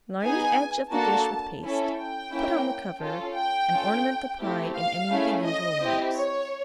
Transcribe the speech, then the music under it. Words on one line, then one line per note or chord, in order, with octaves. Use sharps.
Line the edge of the dish with paste, put on the cover, and ornament the pie in any of the usual modes.
B3 D#4 G#4 G#5
A#3 D4 F#4 A4 A5
C#4 E4 A4
G5
A#3 C#4 E4
C#4 F4 A4
G5
C#4 F4 A4
A3 C4 E4 G4
F5
A3 C#4 E4 G#4
D#5
C4 E4 G4
C#5